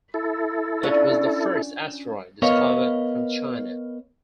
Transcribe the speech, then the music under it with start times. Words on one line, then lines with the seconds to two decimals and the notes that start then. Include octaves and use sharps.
It was the first asteroid discovered from China.
0.14 E4 A4
0.83 C#4 D4 F4
2.42 B3 A#4 B4 C#5 D#5 F5